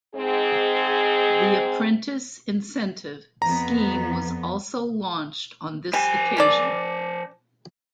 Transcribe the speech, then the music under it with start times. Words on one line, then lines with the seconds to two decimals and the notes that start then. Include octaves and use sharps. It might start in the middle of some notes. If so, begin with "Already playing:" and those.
The Apprentice Incentive Scheme was also launched on this occasion.
0.15 G#2 C4 G#4
3.42 F2 B3 A#5
5.94 F3 G3 G#5
6.37 C#4 A4 D5